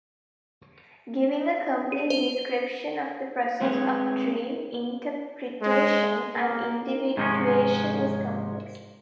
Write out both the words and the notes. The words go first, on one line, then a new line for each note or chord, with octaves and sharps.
Giving a complete description of the process of dream interpretation and individuation is complex.
D#7
C5
G#3 A3 C4 G#4 B4 C#5
G#3
A#3
G#2 C3 D#3 F3 G#3 C#4